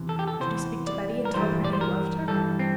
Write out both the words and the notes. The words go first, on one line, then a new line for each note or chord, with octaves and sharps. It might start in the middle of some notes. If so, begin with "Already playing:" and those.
Should he speak to Betty and tell her he loved her?
Already playing: E2 C3 E3
A4
G4
A4
E2 C3 E3 C5
D5
A#4
G2 E3 G3 C5
D5
C5
A#4
G2 E3 G3 A4
C4